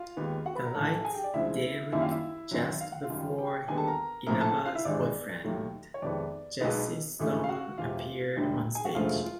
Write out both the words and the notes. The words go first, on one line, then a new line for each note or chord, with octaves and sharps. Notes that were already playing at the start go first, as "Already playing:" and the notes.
The lights dimmed just before Inaba's boyfriend, Jesse Sloan, appeared on stage.
Already playing: F4 F5
D#2 D#3 G#3 B3
F#4 F#5
B4 B5
A#4 A#5
A1 A2 E3 A4 A5
G#4 G#5
G4 G5
D5
D2 C#3 F3 G#3 E4 E5
F#2 D#3 G3 A#3 E4 E5
F4 F5
E4 E5
F#2 D#3 F#3
F5
F#5
F4 F5
F#2 D#3 G3
G4 G5
D#2 D3 G3 B3 G#4 G#5
A4 A5
A#4 A#5
A#1 A2 F3 A#3 A#4 A#5
A4 A5
F4 F5
E4 E5
G#1 G2 E3 G#3 D5
D#2 D#3 F#3 A3
C#5
F2 C3 D#3 G#3 B3 D5
B1 B2 G#3 B3 D#4 D#5
G#1 G2 E3 A3
F5
F#4 F#5
E1 E2 C3 F4 F5
E1 D2 D3 G3
G#4 G#5
F#4 F#5
E1 D2 C#3 F3 A3 F4 F5
F4